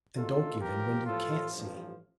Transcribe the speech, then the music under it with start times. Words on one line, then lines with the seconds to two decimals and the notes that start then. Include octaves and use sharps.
And don't give in when you can't! see!
0.15 D2 C3 D#3 F4 A4
0.60 A1 G2 F3 G4 A#4
1.05 A1 A2 F3 F4 A4
1.51 A1 G2 F3